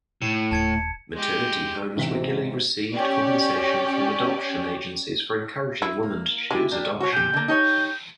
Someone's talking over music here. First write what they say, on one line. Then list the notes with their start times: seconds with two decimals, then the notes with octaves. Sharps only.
Maternity homes regularly received compensation from adoption agencies for encouraging women to choose adoption.
0.22 A2 C#7
0.51 D#1 A5 G#6 C#7
1.13 G#3 G4
1.96 A1 G#2 C3 B6
2.92 C#4 G4 D5
5.82 E4
6.03 A#3
6.51 G#3 E4 G4
6.71 A#3 D4 G4
7.00 F#4 C#5
7.12 A#2 G4 G6
7.33 D3 A#3
7.48 D#4 G4 C#5 G6